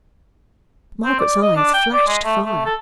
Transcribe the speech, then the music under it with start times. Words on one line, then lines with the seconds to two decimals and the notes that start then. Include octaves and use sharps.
Margaret's eyes flashed fire.
1.05 C4
1.19 D5
1.42 D#5
1.56 D4
1.74 G5
1.93 D5
2.07 G#3
2.25 A3
2.45 A3
2.65 A4